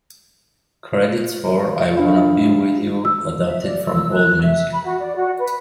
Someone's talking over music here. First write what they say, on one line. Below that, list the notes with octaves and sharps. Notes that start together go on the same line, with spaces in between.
Credits for "I Wanna Be with You" adapted from AllMusic.
D4 F4 E5 F5 B5
E6
E5
D5
E6
F#6
E5
B5
F#4
D5
F#4
B4